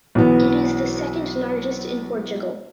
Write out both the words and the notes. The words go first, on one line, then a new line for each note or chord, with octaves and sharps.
It is the second largest in Portugal.
B1 E3 B3